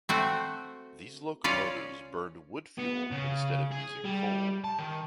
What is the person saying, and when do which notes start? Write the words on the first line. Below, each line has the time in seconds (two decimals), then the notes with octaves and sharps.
These locomotives burned wood fuel instead of using coal.
0.09 A3 C4 F#4
1.44 C#4 F4 D5
2.79 B3
3.12 C#3
3.71 G#4
4.04 G3
4.64 A5
4.79 D#3